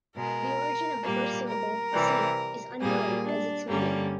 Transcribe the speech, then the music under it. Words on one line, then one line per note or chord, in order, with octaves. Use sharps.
The origin of the first syllable "si" is unknown as is its meaning.
B2 G#3 A#4
A#2 G3 A#3
A#4
C3 E3 G3
A#2 G3 A#3 G#4
D4
G2 D3 G3 A#3 C#4